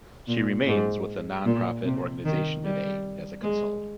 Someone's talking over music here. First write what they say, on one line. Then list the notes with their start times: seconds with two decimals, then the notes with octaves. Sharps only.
She remains with the non-profit organization today as a consultant.
0.27 A#2
0.67 G#2
1.45 A#2
1.85 C3
2.25 D#3
2.64 G3
3.43 G#3